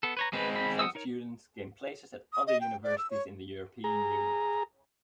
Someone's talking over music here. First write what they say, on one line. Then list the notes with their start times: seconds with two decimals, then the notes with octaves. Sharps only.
Some students gain places at other universities in the European Union.
0.03 B3 A4
0.17 B4 C#5 A#5
0.33 G#3 C4 B4
0.56 B5
0.79 F#5 D#6 E6
0.95 D#4 A#4 C#5
2.33 D#6
2.47 D#5
2.61 G5
2.84 D5
2.98 E6
3.11 C#5
3.84 G#4 A#5